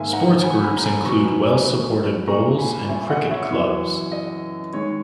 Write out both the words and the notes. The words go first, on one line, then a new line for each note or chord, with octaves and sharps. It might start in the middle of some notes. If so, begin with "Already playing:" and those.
Sports groups include well-supported Bowls and Cricket clubs.
Already playing: G#2 D#3 A#3 E5 G#5
F#5 A#5
G#5 B5
G#5 B5
A#5
G#5 B5
B2 F#3 B3 D#4 A#5 C#6
G#5 B5
G#5 B5
A#2 A#3 C#4 A#5 C#6
G#5 B5
E5 G#5
D#5 F#5
C#5 E5
F#2 E3 B3 C#5
D#5
D#3 G#3 D#4 C#5